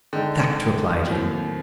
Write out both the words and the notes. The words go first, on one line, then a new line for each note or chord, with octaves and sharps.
"Fact!" replied he.
D3 G#3 D#4 G5
D#2 A2 F#3 A#3 C4